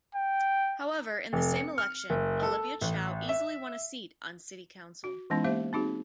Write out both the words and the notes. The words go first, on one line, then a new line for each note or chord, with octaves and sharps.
However, in the same election Olivia Chow easily won a seat on city council.
G5
F1
C#7
F6
F#1
A4
A1
E5
F#4
E3 G#3 B3 C#4 D#4 E4
A#3 G4 C5 E5
C4 D#4 F#4 G#4